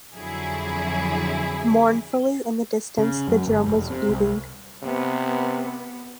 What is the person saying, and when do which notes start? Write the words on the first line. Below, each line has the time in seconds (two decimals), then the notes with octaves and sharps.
Mournfully, in the distance, the drum was beating.
0.14 F2 D3 F#3 E4 G#4
2.98 C#3
3.28 F#2
3.46 G1
3.66 F1
3.90 C3
4.09 C2
4.83 C3 B3